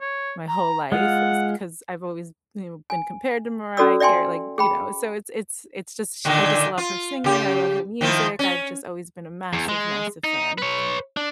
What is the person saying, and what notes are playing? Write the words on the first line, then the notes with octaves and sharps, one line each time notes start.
my whole life. It's because I've always, you know, been compared to Mariah Carey, like, you know, so it's it's it's just sh I just love her singing. I love her music. I've just always been a massive, massive fan.
C#5
A#5
G#3 F4 F5 F#5
G#5
C#4 F#4 A4 D5 E6
D5 E5 G5 G#5 C6
G#4 G5 B5
A#2 D3 D#3
F4
C#3 G4
D#3 F3 E4
C#4
E2
G#3
D#4
B4 C#5
D4